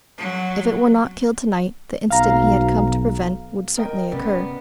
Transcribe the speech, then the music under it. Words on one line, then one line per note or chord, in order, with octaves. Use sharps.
If it were not killed tonight, the incident he had come to prevent would certainly occur.
F#3
B1 F5 A#5
A#4 D#5 G5
C#3 B3 D5